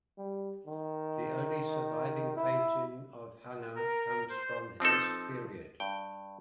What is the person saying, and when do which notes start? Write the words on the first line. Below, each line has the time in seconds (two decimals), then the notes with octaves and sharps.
The only surviving painting of Hanger comes from this period.
0.18 G3
0.67 D#3
2.37 E4
3.75 A#4
4.29 C5
4.80 F3 C4 D#4 A4
5.80 G2 G5